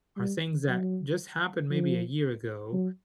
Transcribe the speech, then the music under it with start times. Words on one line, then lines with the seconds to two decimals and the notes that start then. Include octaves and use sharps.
are things that just happened maybe a year ago
0.16 G3
0.68 F#3
1.70 F3
2.73 F#3